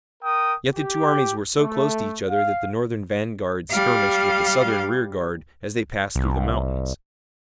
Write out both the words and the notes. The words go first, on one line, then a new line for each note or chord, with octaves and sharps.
Yet the two armies were so close to each other that the Northern vanguard skirmished with the Southern rearguard as they passed through the mountains.
A#4 G5 D#6
G4
A3
F5
G3 F5
C2